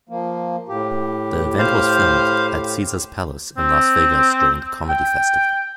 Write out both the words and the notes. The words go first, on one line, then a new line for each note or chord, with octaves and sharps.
The event was filmed at Caesar's Palace in Las Vegas during The Comedy Festival.
F3 A#3
A2 G4
C5 F5
C4
G5